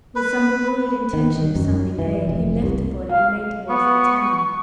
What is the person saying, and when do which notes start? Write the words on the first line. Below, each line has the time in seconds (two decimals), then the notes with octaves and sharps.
With some bewildered intention of summoning aid, he left the body and made towards the town.
0.16 B4
1.13 D#3
1.37 D#3
1.55 F#2
1.99 E3
2.27 F1
2.62 C2
3.11 F5
3.69 B3 C#6